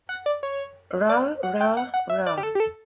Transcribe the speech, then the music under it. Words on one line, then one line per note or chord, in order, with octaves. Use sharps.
Rah, rah, rah!!!
F#5
D5
C#5
D5
F#5
G5
F#5
F#5
E5
D5
G4
A4
G4
A4